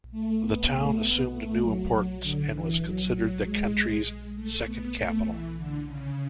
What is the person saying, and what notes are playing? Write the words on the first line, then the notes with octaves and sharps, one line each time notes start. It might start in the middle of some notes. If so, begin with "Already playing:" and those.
The town assumed new importance and was considered the country's second capital.
A3
B3
A3
B3
A3
F#3
F#3
D3
E3
F#3
F#3
G#3
A3
B3
A3
E3
D3
C#3